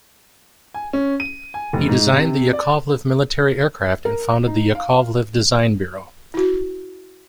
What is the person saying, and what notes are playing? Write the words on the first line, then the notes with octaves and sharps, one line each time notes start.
He designed the Yakovlev military aircraft and founded the Yakovlev Design Bureau.
G#5
C#4
D#7
G#5
F1
G#2
C3
D5
A#4
D#4
F5
E4 F#4